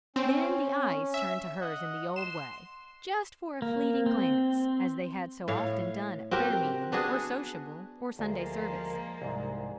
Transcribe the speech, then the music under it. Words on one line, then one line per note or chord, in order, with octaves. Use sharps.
Then the eyes turned to hers in the old way, just for a fleeting glance, as they had so often done at prayer-meeting, or sociable, or Sunday service.
C4 C#4
E5
D#5 F#5
C6 E7
A#3
C4
A2 C#5 F5
C4 F#4 G4 A#4
B3 D4 F#4 G#4
D2 F3 G#3 A#3
C2 G#2